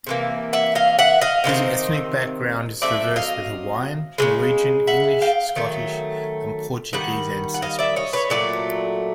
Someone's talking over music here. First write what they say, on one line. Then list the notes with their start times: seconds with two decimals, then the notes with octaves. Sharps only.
His ethnic background is diverse with Hawaiian, Norwegian, English, Scottish, and Portuguese ancestries.
0.07 C3 E3 A#3
0.53 E5 F#5
0.75 D#5 F5
0.99 E5 F#5
1.21 D#5 F5
1.44 C3 D#3 G#3 C4
2.82 F#3 A3 C4 D5 E5
3.16 D#5 F5
4.18 C#3 E3 G#3
4.87 E5 F#5
5.22 F5 G5
5.56 D#3 F#3 A3
6.93 D#3 G3 F#5
7.54 F#5
7.62 D#5 F5
7.79 D5 E5
7.96 C#5 D#5
8.13 B4 C#5
8.30 A#2 F#3 A3 D5